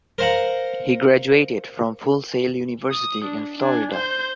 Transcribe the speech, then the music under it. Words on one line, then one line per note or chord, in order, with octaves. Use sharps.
He graduated from Full Sail University in Florida.
A#4 C5 F5 F#5 A#5
D#6
D4
D4 G#5
C5 G6